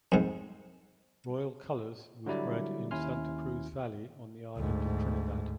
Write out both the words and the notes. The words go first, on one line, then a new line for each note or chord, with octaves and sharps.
Royal Colours was bred in Santa Cruz Valley on the island of Trinidad.
F2 G#2
D3 F#3 G3 E4 D5
D#2 C#4 E4 G#5 C6 F6
D2 G#2